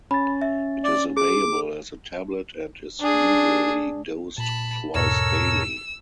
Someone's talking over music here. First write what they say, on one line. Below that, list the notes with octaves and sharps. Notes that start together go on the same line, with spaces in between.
It is available as a tablet and is usually dosed twice daily.
C#4 B5 A6
E5
D5
G#4 D6
D4 G#4
A#2 A5 B5
E2 G#2 B2 A4 A#4 C#5 E6